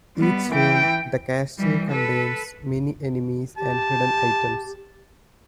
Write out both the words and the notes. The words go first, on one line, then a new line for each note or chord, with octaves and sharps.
Each room the castle contains many enemies and hidden items.
G3 B3
E3 G5
E3 G3
A4 B4
G4 A5